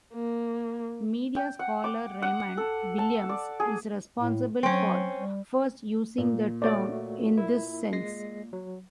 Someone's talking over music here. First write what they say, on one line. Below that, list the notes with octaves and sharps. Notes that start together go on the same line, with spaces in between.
Media scholar Raymond Williams is responsible for first using the term in this sense.
A#3
G5
F#5
D6
F#5
A4
A5
D5
G#4
A2
F#3 C4 C#4
G3
A#2
A3 F#4 G4 C#5 D5 E5
E4 A#4
G#3 A#6 C7
F#3